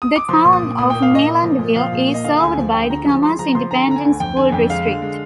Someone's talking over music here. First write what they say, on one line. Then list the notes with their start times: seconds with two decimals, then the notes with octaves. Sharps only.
The Town of Neylandville is served by the Commerce Independent School District.
0.02 D#6
0.16 D6
0.29 F3 C6
0.45 A#2
0.53 D#6
0.62 A#2
0.78 A#2 D#6
0.90 A#3 G5
1.03 F5
1.11 A#2 D#5
1.27 A#3
1.43 F3
1.59 A#2
1.76 F3 F5
1.92 A#2
2.08 A#3
2.14 D#5
2.24 D3 F5
2.40 D2 G#5
2.58 F3
2.73 D2 G5
2.89 D3 A#5
3.06 F3
3.23 G#3 C6
3.39 F3 A#5
3.55 F3 C6
3.71 D3 A#5
3.88 D3 A#5
3.96 G#5
4.05 D2
4.20 F2 G5
4.37 D3 G#5
4.52 F2 G5
4.70 G#3 F5
4.86 D3
5.02 G#3